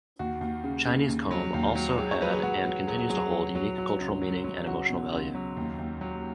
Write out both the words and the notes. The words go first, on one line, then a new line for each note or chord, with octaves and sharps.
Chinese comb also had and continues to hold unique cultural meaning and emotional value.
D#2 F#4
D#2
C#3
C#3
D#2
F#3
D#2
F#3
F#3 G#4
C#5
F#3 B4
G#4
F#3 F#4
F#3
F#3 G#4
F#4
F#3 G#4
F#3
F#3
F#3
C#2
F#3
F#3
C#2 F#4
B2
C#2
F#3
D#2
D#2
F#3